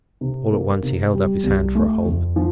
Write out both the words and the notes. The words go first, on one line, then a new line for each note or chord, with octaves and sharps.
All at once he held up his hand for a halt.
C3
A#3
C3
G3
C2
A3
F2
F3